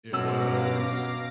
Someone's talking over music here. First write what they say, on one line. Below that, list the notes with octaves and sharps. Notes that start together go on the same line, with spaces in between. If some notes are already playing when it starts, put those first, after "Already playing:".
It was
B2 C#4 F#4 F5 D6 E6 A#6